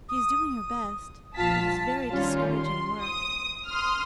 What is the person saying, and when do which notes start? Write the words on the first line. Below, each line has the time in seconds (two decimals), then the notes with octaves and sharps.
She is doing her best, but it is very discouraging work.
0.09 D#6
0.49 D#6
1.35 A#1 F3 F4 F5 A5 B6
1.71 A5
2.10 D#3 G3 C#4 F4
2.55 C6
3.01 D#6
3.68 C6 D#6 F6